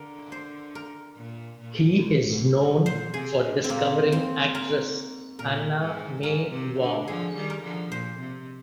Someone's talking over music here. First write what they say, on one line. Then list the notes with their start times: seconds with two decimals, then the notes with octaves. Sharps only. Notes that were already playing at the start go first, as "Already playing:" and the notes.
He is known for discovering actress Anna May Wong.
Already playing: D3 A#4
0.32 C5
0.75 A#4
1.17 A#2
1.60 A#2
2.30 G#2
2.58 G#2
2.86 A#2 C5
3.13 C3 G#4
3.42 D3
3.64 C4
3.70 A#2 A#3
4.12 G#2 C4
4.55 A#4
5.39 A#2 A#4
5.80 G#2
6.23 G#2 A#4
6.51 C3
6.80 D3
7.07 D3 F3 G#4
7.35 D#3 G3
7.50 A#4
7.63 D3 F3
7.92 A#2 C5
8.19 C3